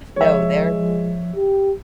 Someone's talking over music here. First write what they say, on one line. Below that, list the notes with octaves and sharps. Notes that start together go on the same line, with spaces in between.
No, they're
F3 G#3 C#5 E5
G4